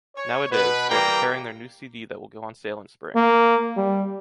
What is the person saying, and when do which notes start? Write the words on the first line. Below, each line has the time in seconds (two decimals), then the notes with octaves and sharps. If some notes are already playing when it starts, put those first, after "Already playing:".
Nowadays, they are preparing their new CD that will go on sale in Spring.
0.16 C#5
0.51 B2 B4
0.89 E3 G3 A#3 G4 G5 A#5
3.16 A#3
3.77 G3